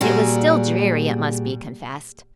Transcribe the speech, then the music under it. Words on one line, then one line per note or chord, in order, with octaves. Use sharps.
It was still dreary, it must be confessed.
A#2 G3 F#4 G#4